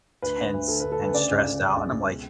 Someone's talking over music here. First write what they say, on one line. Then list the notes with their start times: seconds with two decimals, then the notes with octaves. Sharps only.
tense and stressed out and I'm like,
0.22 D2 B4
0.38 D3
0.53 D2
0.68 D3 A4
0.80 B4
0.85 D2
0.92 A4
0.99 D2 B4
1.14 C#3 D5
1.31 C#2
1.46 C#2
1.61 C#2
1.77 C#2
1.92 C#2
2.08 B2